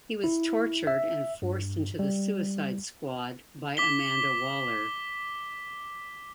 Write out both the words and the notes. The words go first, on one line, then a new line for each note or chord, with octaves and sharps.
He was tortured and forced into the Suicide Squad by Amanda Waller.
E4
E5
G2
G3
D6 B6 G7